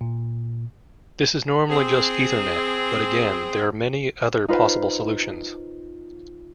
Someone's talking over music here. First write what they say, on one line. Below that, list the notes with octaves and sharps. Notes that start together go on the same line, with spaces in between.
This is normally just Ethernet, but again, there are many other possible solutions.
A#2
C4 G#4
D#4 F4 B4 C5